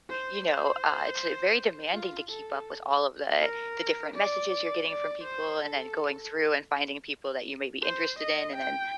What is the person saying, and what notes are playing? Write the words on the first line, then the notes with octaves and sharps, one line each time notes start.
you know, uh, it's very demanding to keep up with all of the the different messages you're getting from people and then going through and finding people that you may be interested in. And then,
C5
C5
F4
A4
A#4
D5
D5
C5
A4
C5
D#5
G5